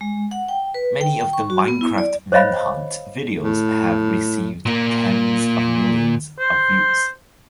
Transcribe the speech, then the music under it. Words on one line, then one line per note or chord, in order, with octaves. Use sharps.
Many of the "Minecraft Manhunt" videos have received tens of millions of views.
G#3
F#5
G5
B4
G5
G5
C#6
F#4
B3
E4
D5
C5 C#5 D#5 F5 B5
A2
A#2 A#3
C5